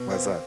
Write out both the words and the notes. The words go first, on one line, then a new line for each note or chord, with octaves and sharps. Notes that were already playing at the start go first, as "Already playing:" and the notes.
Why's that?
Already playing: B2
A#3 C4